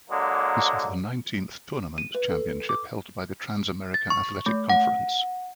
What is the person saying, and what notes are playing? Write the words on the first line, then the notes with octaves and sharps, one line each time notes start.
This was the nineteenth tournament championship held by the Trans America Athletic Conference.
D3 F#3 G#3 A#3
D#7
B4
A4
D6
A6
C#6
A3
F#5